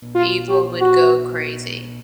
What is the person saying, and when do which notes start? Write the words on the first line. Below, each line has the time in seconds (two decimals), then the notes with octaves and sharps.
People would go crazy.
0.15 F4
0.49 G4
0.81 F#4